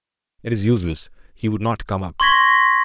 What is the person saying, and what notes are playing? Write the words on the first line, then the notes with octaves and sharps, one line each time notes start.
"It is useless; he would not come up."
C6 C#6 G#6 A#6 B6